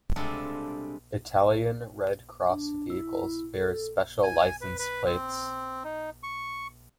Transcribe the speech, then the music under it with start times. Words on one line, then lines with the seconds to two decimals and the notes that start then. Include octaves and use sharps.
Italian Red Cross vehicles bear special license plates.
0.16 C3 G3 G#3 D4 F4 A4
2.49 D4
2.90 E4
3.54 A4
4.23 G#5
4.61 B4
4.79 B4
5.06 C4
5.84 D#4
6.23 C#6